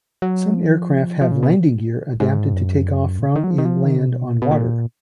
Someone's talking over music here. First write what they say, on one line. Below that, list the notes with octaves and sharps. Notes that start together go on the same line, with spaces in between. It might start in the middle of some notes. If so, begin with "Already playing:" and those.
Some aircraft have landing gear adapted to take off from and land on water.
F#3
F3
F3
C#3
B2
G#2
F#2
A#2
C#3
D#3
F#3
F3
D#3
F3
D#3
C#3
B2
B2
A#2